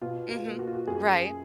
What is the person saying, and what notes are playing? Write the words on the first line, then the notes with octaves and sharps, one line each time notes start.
Mhm, right.
B2 F4
F4
A#3
F#4
F4
F#4
F#2 G#4